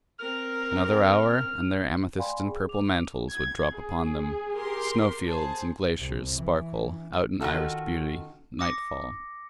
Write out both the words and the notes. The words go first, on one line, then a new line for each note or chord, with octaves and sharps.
Another hour, and their amethyst-and-purple mantles would drop upon them; snowfields and glaciers sparkle out in irised beauty; nightfall.
C4 A#4 F6
D5 F5 G5 G#5 B5 C6
G#4
D6 F7
G#6
G#4
G4 A#4 C6
G#4 C5 A5
C2
E3
D#3 F4 F#4 A4
D6 D#6 A#6 C#7